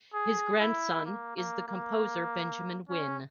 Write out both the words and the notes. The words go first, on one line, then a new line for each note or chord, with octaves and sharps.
His grandson is the composer Benjamin Wynn.
G#4
E4
A#3
A#3
A#3
C#4